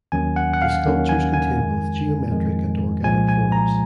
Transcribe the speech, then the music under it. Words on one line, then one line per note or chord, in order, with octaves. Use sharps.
The sculptures contain both geometric and organic forms.
D#2 D#3 F#3 C#4 G#5
F#5
F#5
F5
D#2 D#3 F#3 C#4
G#5
G#5
F2 D#3 G#3
F2 D#3 G#3
C2 A#2 F3 G#3 G#5
G#5
A#5